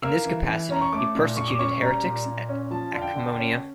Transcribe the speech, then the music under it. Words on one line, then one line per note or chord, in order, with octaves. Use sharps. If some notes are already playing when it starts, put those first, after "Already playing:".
In this capacity he persecuted heretics at Akmoneia.
A#3 E6
E3
E3
C#4 A#5
C#6
A3 D6
A#2
A#2 C#6
D6
C#4 C#6
G3 A#5
A#2
A#2
C#4
F3 A5
D3 F5
G5
D3
G5
C#4